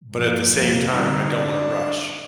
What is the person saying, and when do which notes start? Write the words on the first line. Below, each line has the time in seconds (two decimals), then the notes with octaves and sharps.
but at the same time, "I don't want to rush."
0.11 G2 F3 A#3
0.51 F2 C3 G3 A#3
0.91 D3 G3 C4 D#4
1.31 D4